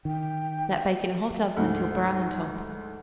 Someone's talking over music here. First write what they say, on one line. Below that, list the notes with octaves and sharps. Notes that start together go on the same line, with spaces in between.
Let bake in a hot oven until brown on top.
D#3 G5
D2 G#2